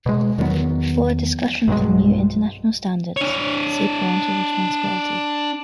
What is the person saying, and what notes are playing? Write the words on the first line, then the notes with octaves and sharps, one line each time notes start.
For a discussion of the new international standards, see parental responsibility.
B2 G#3
E2 D#3 F#3 B3
B1 G2 F#3 G#3
D4 C#5